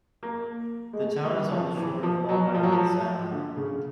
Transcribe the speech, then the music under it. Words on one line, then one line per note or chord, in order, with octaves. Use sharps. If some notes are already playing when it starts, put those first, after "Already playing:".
The town is on the shore of Long Island Sound.
A#3
G#3
A3
G3
F3
E3
F3
F#3
F3
F#3
F3
D3
C#3